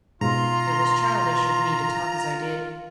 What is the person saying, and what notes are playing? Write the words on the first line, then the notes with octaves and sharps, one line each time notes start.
It was childish of me to talk as I did.
G#2 B2 F4 A#5 C6